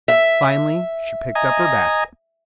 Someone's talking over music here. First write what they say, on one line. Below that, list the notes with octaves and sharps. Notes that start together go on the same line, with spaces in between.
Finally she picked up her basket.
E5
D#5 G#5 A#5